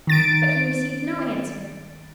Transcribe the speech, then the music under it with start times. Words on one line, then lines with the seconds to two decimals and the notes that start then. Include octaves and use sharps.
But he received no answer.
0.07 D#3 A6 D7